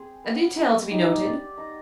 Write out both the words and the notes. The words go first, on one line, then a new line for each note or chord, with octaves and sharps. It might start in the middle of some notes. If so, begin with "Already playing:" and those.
A detail to be noted.
Already playing: C4 G#4
B3
G#3
D#4 G4
D5
D#4